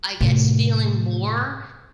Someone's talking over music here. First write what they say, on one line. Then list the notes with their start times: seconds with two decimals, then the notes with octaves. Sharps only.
I guess, feeling more
0.21 A2 C3